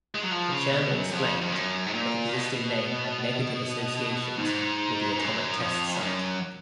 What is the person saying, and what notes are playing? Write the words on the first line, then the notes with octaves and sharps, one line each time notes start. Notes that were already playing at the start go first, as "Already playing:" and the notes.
The Chairman explained that existing name had negative associations with the atomic test-site.
G#3
F#3
F3
C#3
B2
F#2
F2
F2
F#2
G#2
A#2
B2
G#2
F#2
F2
F#2